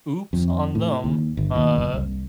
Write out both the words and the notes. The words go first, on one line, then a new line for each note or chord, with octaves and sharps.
Oops on them. Uh,
F2
A2
D#2
G1
D#2
F#1
C2